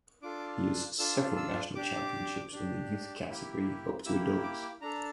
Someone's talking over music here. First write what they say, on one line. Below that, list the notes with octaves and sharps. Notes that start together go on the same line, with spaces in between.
He has several national championships in the youth category up to adults.
D4 F4 A4 D6
D4 F4 A4 E6
E6
D4 G4 D6
D4 G4
A#3 E4 G4
A#3 E4 G4 E6
D6
D6
D4 A4 A#5